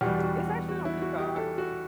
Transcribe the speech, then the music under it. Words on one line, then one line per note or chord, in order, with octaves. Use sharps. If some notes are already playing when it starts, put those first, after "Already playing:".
It's actually on Peacock.
E2 B2 G3 G4
G4
F#4
F#4
F#4
E4
F#4
G4
A4
F#4